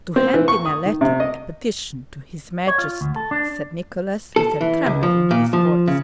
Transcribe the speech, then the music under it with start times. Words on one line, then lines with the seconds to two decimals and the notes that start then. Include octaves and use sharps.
"To hand in a letter, a petition, to His Majesty," said Nicholas, with a tremor in his voice.
0.16 C4
0.34 E3
0.48 C#6
0.66 D#6
0.85 D#3
1.01 C3
1.20 D#5
2.67 C#5
2.78 F4
3.01 D2
3.16 A4
3.31 D4
4.36 A4
4.61 E3
4.86 C#2
5.03 F3
5.31 A#2
5.53 F3
5.87 C#3